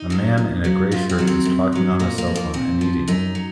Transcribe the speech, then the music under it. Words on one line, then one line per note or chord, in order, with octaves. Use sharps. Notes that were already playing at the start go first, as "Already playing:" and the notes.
A man in a gray shirt is talking on a cellphone and eating.
Already playing: D#4
C#3 F#3
F#2
C#3 F#3
F#2 F4
C4
D#3 F#3
C4
F#2
D#3 F#3
A#2 A#3
A#3
F3
A#3
A#2 C4
F3
F#2 D#4
F#3